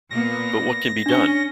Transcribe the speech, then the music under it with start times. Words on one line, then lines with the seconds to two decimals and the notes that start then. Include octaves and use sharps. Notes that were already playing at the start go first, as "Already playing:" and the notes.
But what can be done?
0.10 A#2 A#3 B3 A#6
1.06 C#4 D4 G7